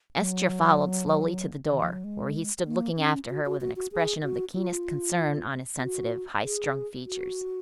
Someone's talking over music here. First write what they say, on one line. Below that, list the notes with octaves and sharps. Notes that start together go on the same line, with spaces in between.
Estra followed slowly to the door, where he stood looking after her with an expression of the keenest concern on his sensitive, high- strung features.
F#3
D#3
F3
F#3
G#3
A#3
C#4
F#4
F#4
F#4
F#4
G#4
F#4
F4
F#4
G#4
F#4